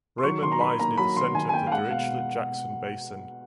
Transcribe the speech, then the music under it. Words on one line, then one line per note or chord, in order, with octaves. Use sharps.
Raimond lies near the center of the Dirichlet-Jackson Basin.
C6
F#3 C#6
D#3 C6
A#5
D#3 B5
A#3 A#5
F#3 B5
D#3 C6
D#3 G#5
G#5
A#3 G5
F5
G#3 F#5
B2 F5